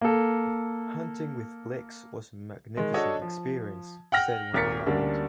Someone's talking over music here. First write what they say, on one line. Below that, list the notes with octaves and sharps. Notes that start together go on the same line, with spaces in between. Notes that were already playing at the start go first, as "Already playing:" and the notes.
"Hunting with Blix was a magnificent experience," said one client.
A#3 A4
D#3 G#3
D4 F#4 A4 C#5 D#5
F3
F#5 G5 F6 A#6
D#1 G#1 A#4 A6 B6 C#7
D2 G3 A#3 C#4 D4